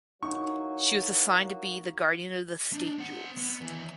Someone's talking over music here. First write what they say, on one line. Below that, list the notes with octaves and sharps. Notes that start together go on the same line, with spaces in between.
She was assigned to be the guardian of the state jewels.
E3 F#3 A#3 D#4 F#4 C#6
D4 D#4
C4 F#5
B3
D#2 E3